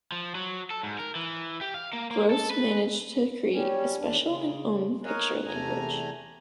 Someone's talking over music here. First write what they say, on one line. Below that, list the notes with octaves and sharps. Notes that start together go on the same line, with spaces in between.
Gross managed to create a special and own picture language.
F3
F#3
A4
G#2
A#4
E3
G4
F5
A#3
A#3
A4
B4
G3 C#4
E2 D4
C#3
A#4 C#5 D#5 F5 F#5 G#5
E2 C3 A3 G#5 A#5